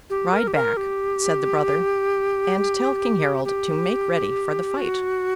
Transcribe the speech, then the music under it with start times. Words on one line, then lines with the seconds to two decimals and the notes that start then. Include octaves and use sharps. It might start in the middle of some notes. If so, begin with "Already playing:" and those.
'Ride back!' said the brother, 'and tell King Harold to make ready for the fight!'
0.10 G4
0.33 A#4
0.47 G4
0.54 A#4
0.77 G4
3.45 G4
4.78 F#4